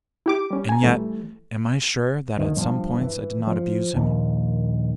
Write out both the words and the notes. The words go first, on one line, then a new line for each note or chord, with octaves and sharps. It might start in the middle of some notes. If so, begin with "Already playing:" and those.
And yet, am I sure that at some points I did not abuse him?
E4 G4 D6
G3 C#4
G#5 A#5
A#1 E3 G3 A3
D2 D#3
G2 F3
E3
F3
A#1 D#2